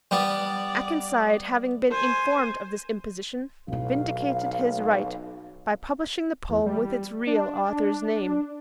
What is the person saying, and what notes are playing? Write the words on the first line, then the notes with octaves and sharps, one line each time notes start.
Akenside having been informed of this imposition, vindicated his right by publishing the poem with its real authour's name.
G3 B3 D5
C5 G#5
B1 B2 E4 F5
E2
G3
D4